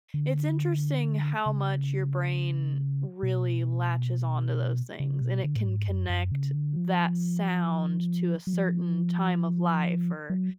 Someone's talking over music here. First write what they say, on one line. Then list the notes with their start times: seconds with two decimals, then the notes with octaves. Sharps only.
it's interesting how much your brain really latches onto those things and it can connect that sound to a certain time of life or,
0.14 D3
1.46 C#3
3.23 B2
5.00 C#3
5.21 B2
5.44 D3
5.56 A2
5.66 G#2
5.88 F#2
6.09 F#2
6.32 C#3
6.54 D3
6.76 F3
8.47 F#3
8.53 F3
10.30 F#3